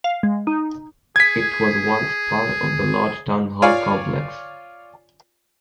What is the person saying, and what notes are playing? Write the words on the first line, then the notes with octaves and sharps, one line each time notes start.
It was once part of the large Town Hall Complex.
F5
G#3
D#4
G#4 G#6 B6
F4 C#5 D5 F5 G#5